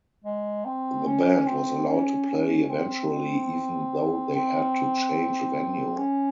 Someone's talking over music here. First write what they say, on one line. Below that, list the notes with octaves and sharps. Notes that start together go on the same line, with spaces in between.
The band was allowed to play eventually even though they had to change venue.
G#3
C4
C#4
C4
C#4
C#4
C4
C4
C#4